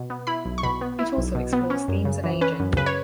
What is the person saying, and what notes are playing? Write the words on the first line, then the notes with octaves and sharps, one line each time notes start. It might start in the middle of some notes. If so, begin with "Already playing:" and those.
It also explores themes of aging.
Already playing: B2
B3
E4 B5
B1
C#6
B2 B5
B3
E4
B1
B2
B3
C#4
F#2
C#3
E3
C#4 B4
F#2
C#3 B4
C#5